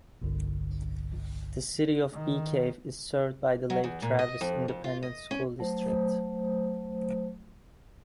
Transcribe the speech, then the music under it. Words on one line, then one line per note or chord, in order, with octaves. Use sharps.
The city of Bee Cave is served by the Lake Travis Independent School District.
G1 C2 G2 D3
D#3
F#3
E2
A#2
D#5
F2
F2
F4
D#5
C#4
F#3 A3 C5